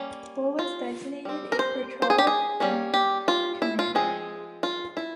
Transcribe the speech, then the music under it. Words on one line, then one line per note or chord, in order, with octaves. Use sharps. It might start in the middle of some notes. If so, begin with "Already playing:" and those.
Bull was designated a patrol plane commander.
Already playing: G3 A#3 C#4
F4
G3 C4
A#4
C5
C5
G#4
G4
G#4
G3 A#3 C#4
G4
F4
E4
F4
F3 G#3 C4 G#4
F4
E4